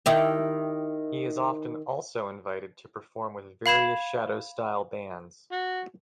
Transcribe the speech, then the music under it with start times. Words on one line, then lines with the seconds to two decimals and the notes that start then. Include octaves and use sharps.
He is often also invited to perform with various Shadows-style bands.
0.06 D#3 E4 G4
3.66 F5 B5 G#6 E7
5.51 F#4